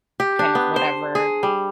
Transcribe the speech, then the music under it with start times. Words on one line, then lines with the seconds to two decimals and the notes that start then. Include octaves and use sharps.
kind of whatever
0.20 G4
0.39 D4
0.55 B3
0.76 C5
1.15 G#4
1.43 G3